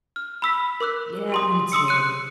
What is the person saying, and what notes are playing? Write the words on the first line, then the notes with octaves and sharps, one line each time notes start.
Yeah, me too.
F6
B5 E6 B6
A#4 D6 E6 F#6
G4 C6 D#6
C6 D#6 E6 C#7
F#6 C#7 D#7